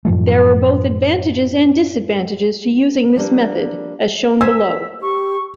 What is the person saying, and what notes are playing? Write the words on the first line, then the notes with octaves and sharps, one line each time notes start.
There are both advantages and disadvantages to using this method, as shown below.
F#2 A2 F3 A3
F3 G3 A#3 D4
C5 G#5 E6 B6
G4 C#6